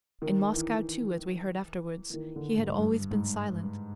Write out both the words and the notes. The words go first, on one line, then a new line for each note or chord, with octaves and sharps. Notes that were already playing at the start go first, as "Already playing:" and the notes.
In Moscow, too, as we heard afterwards, he had always been silent.
D#3
E3
E3
D#3
D3
G#2
G2
G#2